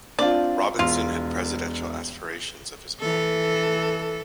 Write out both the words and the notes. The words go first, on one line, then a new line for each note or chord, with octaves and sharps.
Robinson had presidential aspirations of his own.
C4 D4 F4 D5
E1 F4
E3 A4